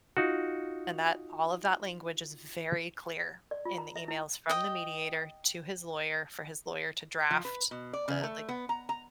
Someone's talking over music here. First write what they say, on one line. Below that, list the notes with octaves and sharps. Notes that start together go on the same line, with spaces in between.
And that all of that language is very clear in the emails from the mediator to his lawyer, for his lawyer to draft the, like,
D#4 F4 F#4
D5
F4
A#5
E5
E4
D#5 G5
F3
B4
B2
D5
C#3
A3
B3
A#5
A#5